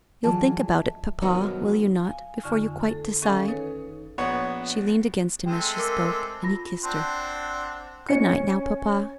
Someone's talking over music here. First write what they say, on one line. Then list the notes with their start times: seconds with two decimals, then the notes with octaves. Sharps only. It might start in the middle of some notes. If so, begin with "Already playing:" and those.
You'll think about it, papa,--will you not, before you quite decide?" She leaned against him as she spoke, and he kissed her. "Good night, now, papa.
0.23 E3 F#3 F4 G#4 A5
0.68 E5
1.22 G2 B2 D#3 F3 F#3 D#4
2.05 F5 G#5
2.43 F2 D3 D#4 G#5 C#6 F6
2.85 A3 A4
3.22 D#3 C#4 G#4 A4 F5 G#5
3.48 D#4 A4 B4 C#5
4.18 A#1 B3 C#5 F#5 C#6
5.46 G#3 A3 C4 G5
5.77 A#4 D6 E6
6.43 F4 B5 A#6
6.83 C4 D4 F#5 A5 C6
8.09 C#4 C#7